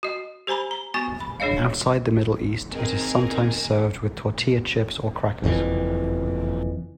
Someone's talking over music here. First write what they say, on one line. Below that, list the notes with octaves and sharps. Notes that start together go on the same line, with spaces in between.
Outside the Middle East, it is sometimes served with tortilla chips or crackers.
F#4 D#5
G4 C5 G#5 A#5 B5
A#5
B3 F#4 G#5 C#6
B5
D4 G#4 C#5 D#5 F5
C4 D#4 G#4 A#4
F#1 F2 C3 E3